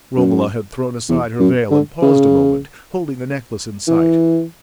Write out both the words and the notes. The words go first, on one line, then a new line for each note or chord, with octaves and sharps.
Romola had thrown aside her veil and paused a moment, holding the necklace in sight.
F#2
E2
F#2
D3
C#3
E3